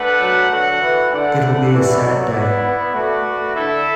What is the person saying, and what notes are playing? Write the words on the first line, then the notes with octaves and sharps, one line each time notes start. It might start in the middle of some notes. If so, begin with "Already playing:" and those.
It'll be a sad day.
Already playing: A3 D4 B4 F#5
F#3
D3 F#4 A4 F#5
E3
D3 A3 E4 D5 F#5
D3
E3 F#4 A4 D5
F#3
B3 E4 D5 F#5
B3
A3 F#4 B4 D5 F#5
A3
D3 E4 A4 E5